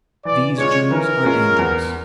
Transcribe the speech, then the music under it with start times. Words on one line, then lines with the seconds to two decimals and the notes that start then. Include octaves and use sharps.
'These Jews are dangerous.
0.25 E3 D5
0.58 G#3 C#4 F4 C#5
0.91 E3 A#4
1.24 G#3 C#4 F4
1.59 E2